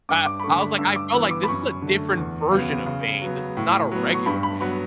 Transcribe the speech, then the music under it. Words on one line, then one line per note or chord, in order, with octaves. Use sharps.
Ah, I was, like I felt like, this is a different version of Bane. This is not a regular Bane.
G2 D6
D6
B5
D3 A3 C#6
C#6
B5
G2 E6
D6
E3 B3 E6
D6
B5
F#2 C#6
D3 A3
E2
C#3 F#3 B3
C#3
F#3 B3
A2
F#3 B3
C#6
G2 B5
B5
F#3 B3 B5